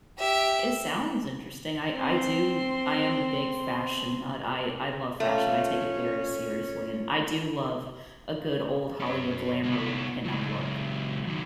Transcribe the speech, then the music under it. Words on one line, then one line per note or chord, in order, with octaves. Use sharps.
It sounds interesting. I I do I am a big fashion nut, I I love fashion, I take it very seriously, and I do love a good old Hollywood glamour pin-up look.
G4 E5
C4 C6
A3 C#4 F4
F#2 C#4
C2 B3
C#2 F#3
D#3 F#3